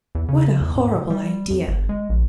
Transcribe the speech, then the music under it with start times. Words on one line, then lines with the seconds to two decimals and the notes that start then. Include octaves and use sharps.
What a horrible idea!
0.15 E2
0.28 C#3
0.61 E2
0.76 G#2
0.95 D#3
1.10 G3
1.50 F2
1.68 G1
1.89 G#3
2.09 A#1